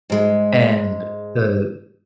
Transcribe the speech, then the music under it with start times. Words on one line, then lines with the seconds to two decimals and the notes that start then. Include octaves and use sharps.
And the
0.10 G#2 G#3